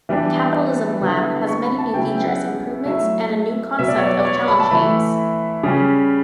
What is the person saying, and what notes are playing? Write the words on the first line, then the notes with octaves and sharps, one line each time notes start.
"Capitalism Lab" has many new features, improvements and a new concept of challenge games.
E3 G3 B3 D4
D3 G3 B3 E4
C#6
B5
A5
C#3 F#3 B3 E4 G5
E5
G5
F#5
F#3 A3 E4 E5
B2 F#3 B3 E5
D5
C#5
D5
D5
C#5
C#5
B5
A5
E3 A3 E4 B5
C#3 G3 C#4